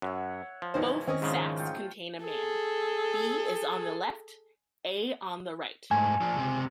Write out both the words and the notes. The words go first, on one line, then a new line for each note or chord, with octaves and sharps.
Both sacks contain a man; B is on the left, A on the right.
F#2 C#5 E5 F#5
F3
B1 D#3 E3 G#3 C5 C#5
D#3 C4 C#4 D#5
G#2 C#3 F3 G#3
A3 F4 G5
G#4 A4
G#2 A3 G#5
F3 D4
C#2 C3